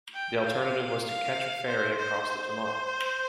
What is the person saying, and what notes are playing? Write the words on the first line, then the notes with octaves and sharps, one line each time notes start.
The alternative was to catch a ferry across the Tamar.
G5
F5
F5
C5
C5
C5